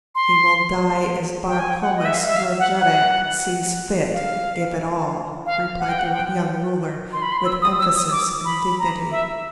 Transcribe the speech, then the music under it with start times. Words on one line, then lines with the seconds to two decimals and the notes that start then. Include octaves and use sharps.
"He will die as Bar Comas, your jeddak, sees fit, if at all," replied the young ruler, with emphasis and dignity.
0.15 C6
1.48 G5
1.59 G#5
1.70 G5
1.81 F#5
1.96 D#5
2.05 E5
2.14 F5
2.26 E5
2.36 F5
2.59 F#5
2.81 F#5
4.13 F5
5.46 F5
5.80 F#5
5.89 G5
5.99 F#5
6.12 G5
7.13 C6
7.22 B5
7.32 C6
7.45 E6
7.62 D#6
7.79 E6
7.95 D#6
8.11 D6
8.45 B5
8.67 B5
8.79 A#5
9.11 E5